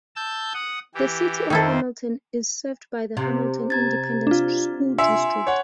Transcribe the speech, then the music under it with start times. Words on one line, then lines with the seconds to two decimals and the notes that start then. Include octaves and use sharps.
The City of Hamilton is served by the Hamilton Independent School District.
0.16 A5 E6 G6
0.54 F#5 D#6
0.94 E3 G4
1.50 F2 D#3 C4 E4 A4 C5
3.17 C3
3.70 A#5 G#6 A6
4.27 D4 F4
4.98 E5 G#5 C6 C#7
5.47 C#5 F#5